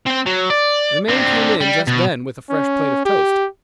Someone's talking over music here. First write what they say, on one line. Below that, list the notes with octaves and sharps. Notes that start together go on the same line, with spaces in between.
The man came in just then with a fresh plate of toast.
C4 G5
F#3
D5
D3 C4
G3
B2
C#4
G4